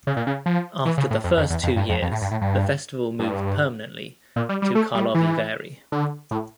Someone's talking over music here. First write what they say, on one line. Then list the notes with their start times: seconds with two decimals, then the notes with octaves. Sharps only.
After the first two years the festival moved permanently to Karlovy Vary.
0.07 C#3
0.17 A#2
0.27 C#3
0.46 F3
0.85 E3
0.98 C#3
1.11 A2
1.24 F2
1.37 F2
1.50 E2
1.63 F2
1.76 G2
1.89 F2
2.02 F2
2.12 A2
2.22 G2
2.31 A2
2.41 G2
3.19 G2
4.36 A#2
4.49 G3
4.62 G3
4.75 A3
4.95 G3
5.14 E3
5.92 D3
6.31 A2